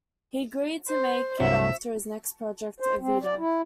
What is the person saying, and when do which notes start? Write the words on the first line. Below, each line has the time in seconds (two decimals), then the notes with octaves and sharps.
He agreed to make it after his next project, "Evita".
0.89 C5
1.40 C2 G2 F#3 E5
2.80 C5
3.01 C4
3.23 D5
3.38 E4